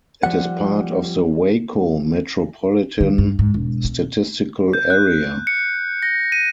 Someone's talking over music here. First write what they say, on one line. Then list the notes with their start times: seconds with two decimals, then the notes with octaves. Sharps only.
It is part of the Waco Metropolitan Statistical Area.
0.23 F3 G3 F#5
3.00 D3
3.18 G2
3.39 G#2
3.54 E1
3.85 B2
4.73 G6
4.90 F#6
5.47 C#7
6.02 A#6
6.32 D#7